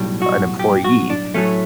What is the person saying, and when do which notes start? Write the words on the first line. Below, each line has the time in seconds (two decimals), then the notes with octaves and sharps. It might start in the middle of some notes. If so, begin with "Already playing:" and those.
an employee,
Already playing: B1 A2 G3
0.22 F#4
0.59 G4
0.84 F#4
1.10 D4
1.34 A2 F#3 A3 C#4